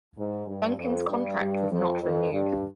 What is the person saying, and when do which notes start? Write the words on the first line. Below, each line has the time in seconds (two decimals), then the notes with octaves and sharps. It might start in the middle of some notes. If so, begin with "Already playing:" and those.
Dunkin's contract was not renewed.
0.18 G#2
0.47 G2
0.78 F2
1.09 G2
1.40 G2
1.71 F2
2.01 F2
2.32 G2